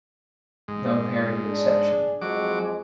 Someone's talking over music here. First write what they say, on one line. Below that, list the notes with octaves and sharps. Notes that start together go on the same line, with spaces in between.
No parody exception.
G#2
D4 G#4 D5
F2 F#3 G#3 D6